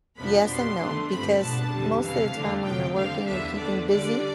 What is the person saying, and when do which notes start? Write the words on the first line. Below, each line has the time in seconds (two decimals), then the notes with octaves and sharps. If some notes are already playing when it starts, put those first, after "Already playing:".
Yes and no, because most of the time when you're working, you're keeping busy,
0.17 F2 C3 F3 B3 D4 B5
0.48 B2 G3 B3 C6
0.79 D3 A3 D4
1.10 G2 F3 C4 B5
1.41 B2 B3 D4 A5
1.72 F2 D3 G3
2.03 E2 C3 E3 F5
2.34 F2 D3 A3 D4
2.65 F2 C3 F3 A3 G5
2.95 D3 G3 C4 F5
3.26 E2 D3 G3 B3 D4 E5
3.57 D3 A3 D4 D5
3.88 D3 G3 D4 D5